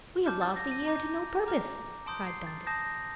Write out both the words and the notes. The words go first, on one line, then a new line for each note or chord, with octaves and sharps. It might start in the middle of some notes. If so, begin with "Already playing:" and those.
"We have lost a year to no purpose!" cried Dantes.
A5 D6 F6 G6
A6
A#6
D#7
A#5 D6 G6
A#5 D6 F6
A5 C6 D#6 G6 D7
C7
A6
A5 D#6 G6 A#6